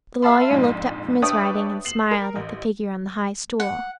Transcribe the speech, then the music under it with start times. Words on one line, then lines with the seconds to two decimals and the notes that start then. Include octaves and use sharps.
The lawyer looked up from his writing, and smiled at the figure on the high stool.
0.22 E5 F5 A5 B5 C6
0.51 A#1 F2 G#2
1.22 D4 B4 C#5 E5 G5 D#6
1.85 C7 E7 F#7
2.11 A#4
2.36 A1
3.60 F#5